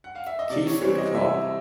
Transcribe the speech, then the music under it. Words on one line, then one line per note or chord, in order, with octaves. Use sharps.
Key Food Coop.
F#5
F5
E5
D#5
C3 D5
C#5
E3 G3 C4 C#5
D#5
C3 E5